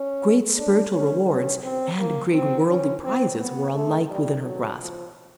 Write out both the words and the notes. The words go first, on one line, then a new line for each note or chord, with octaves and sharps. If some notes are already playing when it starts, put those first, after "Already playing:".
Great spiritual rewards and great worldly prizes were alike within her grasp.
Already playing: C#4
D4
C#4
C#4
C4
A#3
C4
C#4
C4
B3
A3
G3
F#3
F3